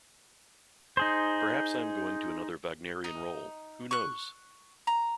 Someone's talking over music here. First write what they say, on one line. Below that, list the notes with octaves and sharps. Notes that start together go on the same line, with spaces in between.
Perhaps I am going to another Wagnerian role - who knows?
D#4 G#4 C5
D#4
C#6 F#6
A#5